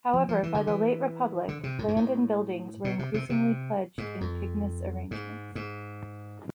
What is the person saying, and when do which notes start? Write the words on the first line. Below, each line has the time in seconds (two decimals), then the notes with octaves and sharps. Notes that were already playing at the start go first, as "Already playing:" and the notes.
However, by the late Republic, land and buildings were increasingly pledged in pignus arrangements.
0.13 F3
0.29 F3
0.43 E3
0.54 D3
0.67 E3
1.48 D3
1.63 C3
1.79 A2
1.88 G#2
1.96 A2
2.84 B2
2.99 C3
3.14 C3
3.30 C3
3.98 G#2
4.21 F2
5.11 G#2
5.55 G#2